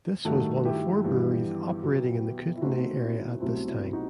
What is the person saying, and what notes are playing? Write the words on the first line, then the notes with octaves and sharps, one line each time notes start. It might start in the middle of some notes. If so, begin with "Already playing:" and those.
This was one of four breweries operating in the Kootenay area at this time.
G2 D#3 A3 F#4 A4
E4 G4
G2 E3 G3 B3
B2 F#3 B3
E4
B2 A3 C4 D#4 F#4
F#4
E4
C2 B2 F#3 A3 C4 E4
E4
D#4 F#4